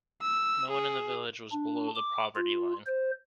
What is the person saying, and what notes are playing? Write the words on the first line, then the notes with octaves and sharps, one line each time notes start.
No one in the village was below the poverty line.
E6
G#4
D4
D6
F4
C5